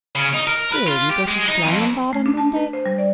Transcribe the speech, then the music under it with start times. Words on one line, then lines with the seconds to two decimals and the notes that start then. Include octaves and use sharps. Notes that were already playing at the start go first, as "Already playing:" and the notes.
'Still, you go to Schlangenbad on Monday?'
0.15 C#3
0.34 D#4
0.47 A#4
0.72 B4
0.87 F4
1.10 G4
1.28 G#3
1.48 D#4
1.65 F2
2.13 A3
2.26 D4
2.37 A5
2.56 B4
2.73 C5
2.86 G3
2.98 D5